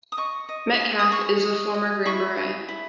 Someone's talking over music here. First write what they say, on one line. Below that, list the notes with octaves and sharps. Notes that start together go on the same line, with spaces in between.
Metcalf is a former Green Beret.
D#6
D#5 C#6
D#5
G#4
D#6
G#4 C#6
D#5
D#5
E4 C#6
G#4
E4